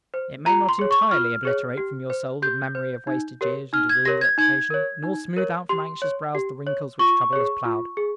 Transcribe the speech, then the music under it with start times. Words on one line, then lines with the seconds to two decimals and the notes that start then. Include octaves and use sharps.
It may not entirely obliterate from your soul the memory of wasted years and a ruined reputation, nor smooth out from anxious brows the wrinkles which trouble has ploughed.
0.14 C5
0.46 F4 A#5
0.69 C6
0.79 G#4 C#5
0.91 C#6
1.11 F4 F6
1.45 G#4 C#5
1.77 G4
2.10 C5
2.42 G4 G6
2.75 C5
3.07 D#4
3.41 G4 A#4 C#5
3.73 D#4 F6
3.89 G#6
4.05 G4 A#4 C#5 A#6
4.21 G#6
4.38 D#4 G#6
4.70 A#4 C#5
5.03 D#4
5.36 A#4 C#5
5.69 G4 C6
6.02 C#5
6.35 G4
6.67 C#5
6.99 F4 C#6
7.33 G#4 C#5
7.65 F4
7.97 G#4